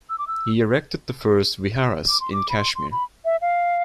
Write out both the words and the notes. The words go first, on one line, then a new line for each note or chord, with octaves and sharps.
He erected the first viharas in Kashmir.
E6
D6
E6
D6
C6
D6
B5
C6
C6
B5
E5
F5